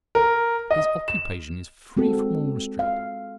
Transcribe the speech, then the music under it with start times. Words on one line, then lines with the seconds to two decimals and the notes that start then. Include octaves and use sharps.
His occupation is free from all restraint.
0.15 A#4
0.71 D#5
1.08 E7
1.97 G#3 C4 F#4 A4
2.79 F5